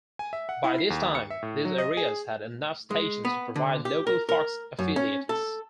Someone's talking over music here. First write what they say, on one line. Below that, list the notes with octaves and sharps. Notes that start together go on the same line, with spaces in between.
By this time, these areas had enough stations to provide local Fox affiliates.
G#5
E5
F#5
E4
C7
D#2
C#7
E5
A2
F#3
D#5
G#4
G#3
B3
D3
G4
A#4
A#4
F#2
C#4
A4